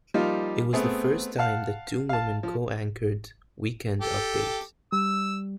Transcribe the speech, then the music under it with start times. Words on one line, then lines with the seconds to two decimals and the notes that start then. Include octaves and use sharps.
It was the first time that two women co-anchored "Weekend Update".
0.14 F3 G3 A#3 D#4 F4
0.73 A3 B3 C4 G#4
1.38 F5 F#5 A5
2.09 F5 A5
2.43 F3
4.01 G4 A4
4.92 G3 E6